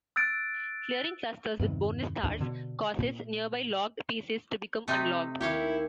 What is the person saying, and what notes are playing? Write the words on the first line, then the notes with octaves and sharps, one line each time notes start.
Clearing clusters with bonus stars causes nearby locked pieces to become unlocked.
E6 F#6 A6 D7
E2 G2 C3 D#3
D#2 A2 D4
B2 D3
A#2
C3 A3 D#4
D#2 E4 G4 C#5 F5